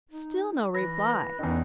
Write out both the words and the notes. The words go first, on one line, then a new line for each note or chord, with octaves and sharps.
Still no reply.
D#4
E3 B4 A#6
E2 D#3 C#4 D#4